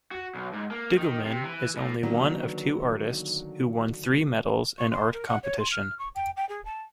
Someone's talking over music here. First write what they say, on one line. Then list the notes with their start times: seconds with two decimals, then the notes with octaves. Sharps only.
Diggelmann is only one of two artists who won three medals in art competition.
0.11 F#4
0.35 B1
0.53 G#2
0.71 A#3
0.98 D#3
1.25 C3
1.43 E3
1.77 A2
2.03 D3 D#3 F#3 A#3 B3
4.78 C#6
4.91 C6
5.13 A#4
5.28 F#5
5.43 C#5
5.59 C6
5.72 F6
5.99 C#6
6.15 G5
6.37 G5
6.49 G#4
6.65 A5